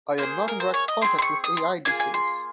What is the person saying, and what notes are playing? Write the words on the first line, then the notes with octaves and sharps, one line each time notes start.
I am not in direct contact with Al these days.
A#3 F4 G#4 C5
A#4
C5
C#5
D#5
C4 F4 G#4 C6
C6
C#6
D#6
C6
A#3 F4 G#4 G#5
G#5
C6